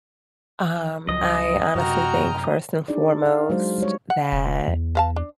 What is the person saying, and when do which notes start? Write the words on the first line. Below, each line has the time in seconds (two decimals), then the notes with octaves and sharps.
Um, I honestly think, first and foremost, that
1.09 C#2 F3 F#3 D#5
1.75 F#2 C3 F#4 G5 A#5 F6
2.88 D4 D#4 G#4 D5
3.26 F5
3.50 F#3 G#3 C5
3.78 G3 G#3 C#5
4.10 F#5
4.32 E1
4.68 E2
4.95 B4 F5 A5
5.16 D4